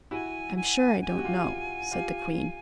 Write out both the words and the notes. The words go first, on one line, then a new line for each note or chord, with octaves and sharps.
"I'm sure I don't know," said the queen.
E4 F#4 G#5
G#5
G#5
G4
F#4
F4 G4
F4 G4